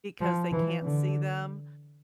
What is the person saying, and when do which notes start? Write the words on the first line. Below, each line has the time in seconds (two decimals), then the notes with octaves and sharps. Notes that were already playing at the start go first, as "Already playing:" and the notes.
because they can't see them,
0.21 F3
0.52 E3
0.83 D3